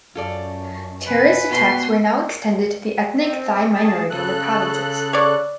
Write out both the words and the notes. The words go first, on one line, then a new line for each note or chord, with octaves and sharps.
Terrorist attacks were now extended to the ethnic Thai minority in the provinces.
F#2 C#4 F4 A4 D5
C3 B4 G#5
B2 B3 C6
C4
G#4 A5
C#3 A4 F#6
C#5 D5